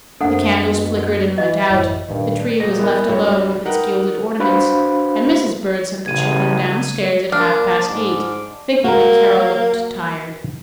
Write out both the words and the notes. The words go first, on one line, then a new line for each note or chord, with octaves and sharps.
The candles flickered and went out, the tree was left alone with its gilded ornaments, and Mrs. Bird sent the children down stairs at half-past eight, thinking that Carol looked tired.
F#2 C3 A#3 D4 A4 F#5
B2
E3 D#5
A1 F#2 E4
G2 A#2 D#3
D#1 D#5 A#6
A#3 B3 E4 G#4 D5
C2 G2 F#4 C#5 E5
D#4 A#4 B4 F#5 G5 A#5
D4 F#4 B4 C5 F5 B5
A1 C#3 G#6 D#7
A#3 D4 D6 F6
G#2
A#3 F#4 A#4